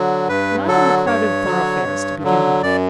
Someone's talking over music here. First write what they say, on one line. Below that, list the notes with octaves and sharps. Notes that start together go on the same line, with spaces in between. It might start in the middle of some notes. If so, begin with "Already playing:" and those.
Not in the crowded thoroughfares, to begin with.
Already playing: D3 F#3
G2 B4
D3 F#3 A4
G2 C#5
D3 F#3
G2
D3 F#3
F#2 D5